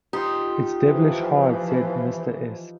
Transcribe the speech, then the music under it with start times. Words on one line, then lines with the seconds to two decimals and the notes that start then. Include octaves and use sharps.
"It's devilish hard," said Mr. S..
0.13 D#4 F4 G4 C6
0.84 E3 F3